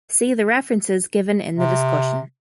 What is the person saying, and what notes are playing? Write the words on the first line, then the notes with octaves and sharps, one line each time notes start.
See the references given in the discussion.
C3